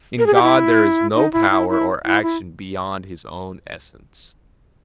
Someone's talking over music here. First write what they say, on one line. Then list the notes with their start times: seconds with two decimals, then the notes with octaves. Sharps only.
In God there is no power or action beyond His own Essence.
0.18 A#4
0.26 G#4
0.34 G4
0.42 E4
1.14 D#4
1.33 E4
1.50 E4
1.69 E4
2.05 E4
2.23 E4